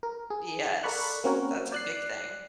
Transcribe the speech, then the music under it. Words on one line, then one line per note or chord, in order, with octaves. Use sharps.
Yes. That's a big thing.
A#4
G#4
A4 A#4 D5 B5 C#6 F#6
A#3 C4 C#4 F#4 A#4 C#5
D5 F#6 C7